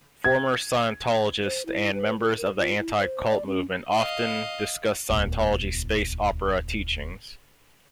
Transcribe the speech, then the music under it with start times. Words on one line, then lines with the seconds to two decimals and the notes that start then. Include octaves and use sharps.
Former Scientologists and members of the anti-cult movement often discuss Scientology's space opera teachings.
0.24 G#6
1.44 C5
1.66 E4
1.94 B4
2.20 A4
2.37 A#4
2.59 F4
2.79 E4
2.98 C5
3.29 D5
3.46 C#4
3.96 D#5 F5
5.10 D#1 C#2